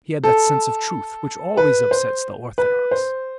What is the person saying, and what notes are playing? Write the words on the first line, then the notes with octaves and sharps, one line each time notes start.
He had that sense of truth which always upsets the orthodox.
A4
B4
C5
B4
C5